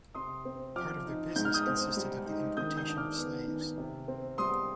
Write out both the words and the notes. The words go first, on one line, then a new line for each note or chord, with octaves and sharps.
Part of their business consisted of the importation of slaves.
C3 C6 D#6
C4
F3 D6 F6
D#4
G#2 G6
F6
D#6 G6
C4
G3
D#4
D#3 D#6 G6
D#6 G6
D4
D6 F6
B3
D#3
C3
C4
G3 C6 D#6